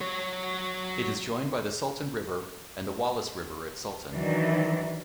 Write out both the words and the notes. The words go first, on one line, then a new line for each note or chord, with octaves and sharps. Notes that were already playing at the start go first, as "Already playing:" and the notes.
It is joined by the Sultan River and the Wallace River at Sultan.
F#3 C#5
D#3 E3 F#3 D4